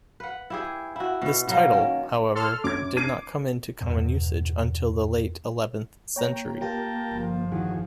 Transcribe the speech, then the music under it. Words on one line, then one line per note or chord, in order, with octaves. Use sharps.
This title, however, did not come into common usage until the late eleventh century.
B4 F#5
E4 G4 G#4
E4 F#4
B2
B2 F#3 A#3
D#3 C#4
A4 C6 F6
F#2 D6 G#6
D6 G#6 C7 D#7
E2 G2 B2
A#3 C#5 G5 A#5
F4 G4 A#4 G5 A5 A#5
G1 F3
D#2 D#3 E4 F#4 G#4